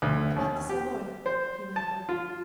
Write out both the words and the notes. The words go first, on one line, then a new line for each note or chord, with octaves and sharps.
"About the Savoy," he went on.
D2
D#2
G4
C5
A5
F4